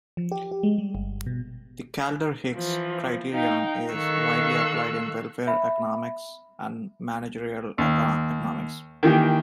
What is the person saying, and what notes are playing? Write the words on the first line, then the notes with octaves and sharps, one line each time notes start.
The Kaldor-Hicks criterion is widely applied in welfare economics and managerial economics.
F3
G4
G4
G#3
G3
G1
B2
E3 F3
D#4 F5 G5
D#3 A4 F5 C#6 E6 F#6
E5 B5
D#2
D#3 E3 A#3 G4